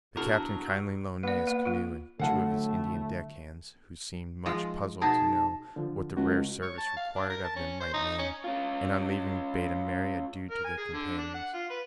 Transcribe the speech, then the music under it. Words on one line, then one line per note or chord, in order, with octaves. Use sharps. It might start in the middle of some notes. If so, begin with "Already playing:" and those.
The captain kindly loaned me his canoe and two of his Indian deck hands, who seemed much puzzled to know what the rare service required of them might mean, and on leaving bade a merry adieu to their companions.
B2 F#3 D4 E4 G#4 A#4 A5
A#3 B3 D5
A#3
A#3 F4
A2 D3 F#3 A3 F5 F#5 A5
F3 G#3
B2 D#4 G#4 A5
D3 F3
C#2 F#4
C#5
A5
F5
D4
A#4
A5
C#4
C5
D#4
C#4
C#4 F4
A#4
G#5
G#4
D3
D4
F#5
F4
B4